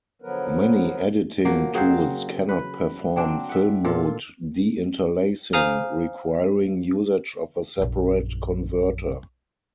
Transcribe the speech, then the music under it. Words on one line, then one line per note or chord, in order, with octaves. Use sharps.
Many editing tools cannot perform film-mode deinterlacing, requiring usage of a separate converter.
D3 F3 F#3 B3 A#4 B4
F3 F#3 A#3
C#3 F#3 C4 C5
B4
F#3 C4 D4
E5 F#5
A#2 F4 A4
C5 F5 G#5 A#5 D#6 F6
A#1 F#2